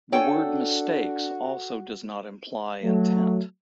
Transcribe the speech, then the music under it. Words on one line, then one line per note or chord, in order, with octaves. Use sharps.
The word "mistakes" also does not imply intent.
D4 F#4 A4 C#5 G5 G#5
F#3 A3